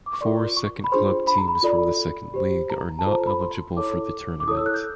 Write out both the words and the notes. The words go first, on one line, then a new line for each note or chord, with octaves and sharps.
Four second club teams from the Second League are not eligible for the tournament.
D6
C#6
F4 A#4 D5 C6
C#6
C#6
B5
D4 F4 G#4 C5 C6
B5
A#5
B5
F4 A4 D5
G4 C5
A#5
A5
F4 A4 C5
A#5
B5
C6
E4 A4 C#5 D6
D6
E4 A4 C#5 D#6
E6
F#6
G6